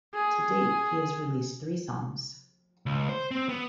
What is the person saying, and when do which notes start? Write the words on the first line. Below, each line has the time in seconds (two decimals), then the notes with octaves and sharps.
To date he has released three songs.
0.15 G#4
2.86 C#2
3.09 C5
3.31 C4
3.49 B3